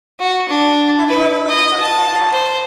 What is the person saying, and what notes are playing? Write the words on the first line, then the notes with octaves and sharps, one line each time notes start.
Have you ever heard of something like that?
F#4
D4
B4
D#5
A5
C5